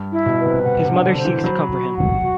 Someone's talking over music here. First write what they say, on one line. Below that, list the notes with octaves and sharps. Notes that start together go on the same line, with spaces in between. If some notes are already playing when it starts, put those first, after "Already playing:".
His mother seeks to comfort him.
Already playing: G2
E4
B2
B4
C3
B2 F#5
C3
D4
D3
C5
E3
F#3 B5
F#4
F#5
F#4